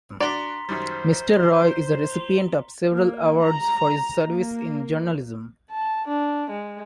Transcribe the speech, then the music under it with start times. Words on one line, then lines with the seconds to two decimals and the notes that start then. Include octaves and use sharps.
Mr. Roy is a recipient of several awards for his service in journalism.
0.20 D4 F#4 D5 A#5 C6 B6
0.69 F#2 D#3 G3 C5
2.92 A#3
3.44 A#5
4.28 A#3
5.70 A5
6.07 D4
6.50 G#3